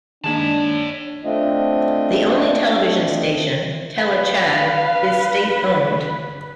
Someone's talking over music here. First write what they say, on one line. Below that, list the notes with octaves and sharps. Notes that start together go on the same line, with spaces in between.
The only television station, Tele Tchad, is state-owned.
D#3 G#3 A#3 D4 C#5 A5
A3 C4 D4 F4 D#5
B4 F5